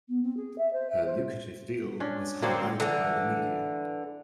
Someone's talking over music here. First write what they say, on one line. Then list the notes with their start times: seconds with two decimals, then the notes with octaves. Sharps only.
Her lucrative deal was highlighted by the media.
0.08 B3
0.22 C4
0.36 G#4
0.58 E5
0.72 C5
0.89 E5
1.05 C5
2.00 C#4 D4
2.42 D3 A#3 C4 F#4 G#4 C#5 D5
2.80 D3 E3